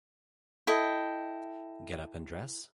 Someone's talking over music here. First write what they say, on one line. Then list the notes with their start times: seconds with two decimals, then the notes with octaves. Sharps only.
Get up and dress?
0.67 E4 A4 D#5 G5